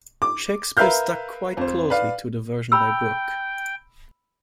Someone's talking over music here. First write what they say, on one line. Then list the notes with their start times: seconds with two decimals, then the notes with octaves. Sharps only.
Shakespeare stuck quite closely to the version by Brooke.
0.22 D6
0.77 A#4 B4 E5 F5 F6 G6
1.57 F2 C5
1.90 B4 D5 F5
2.72 G5 B5 E6